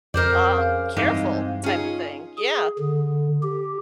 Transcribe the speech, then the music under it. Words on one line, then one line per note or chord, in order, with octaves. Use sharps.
um, careful type of thing, yeah,
F2 A#4 C5 D5 G6
C#4 G#4 F5
G2 E3 G#3 C4 D#4 F5
C#4 D#4 F4 G#4
G#4
D3
G4